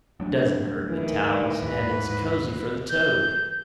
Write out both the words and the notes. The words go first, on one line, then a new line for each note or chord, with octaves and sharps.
It doesn't hurt the towels and it's cosey for the toad.
D2 F#3 D4
D#3 E3
D#2 G#2 B4
G6